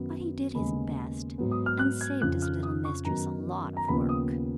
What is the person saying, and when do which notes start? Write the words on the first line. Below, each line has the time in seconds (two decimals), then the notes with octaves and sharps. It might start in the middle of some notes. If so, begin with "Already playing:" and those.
But he did his best and saved his little Mistress a lot of work.
Already playing: F#2 D#3 F#3 B3
0.55 D#2 C#3 G#3 B3 B5
1.38 G#2 F#3 B3
1.51 D#6
1.66 F6
1.79 F#6
2.01 G#6
2.21 F2 C#3 F3 F#6
2.42 F6
2.63 D#6
2.85 C#6
3.05 F#2 D#3 F#3 B3 A#5
3.77 A#5
3.88 D#2 C#3 F3 B3 B5
4.09 D#6